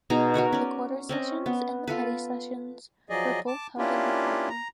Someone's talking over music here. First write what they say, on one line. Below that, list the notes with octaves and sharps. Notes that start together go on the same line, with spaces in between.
The quarter sessions and the petty sessions were both held in the courtroom.
B2 D#4 G#4 A#5
F#4 A#4 C#5 F#5
C#4 D5
C4 C#4 D#5
B3
F4 A4 B4
F3 F#3 G#4 D5 D#5
A5 D6
A#3 C#4 D4 E4 F4 G4
A#5